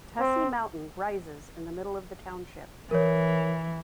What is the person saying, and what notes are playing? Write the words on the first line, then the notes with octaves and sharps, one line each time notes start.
Tussey Mountain rises in the middle of the township.
C4
E3 A#4 C#5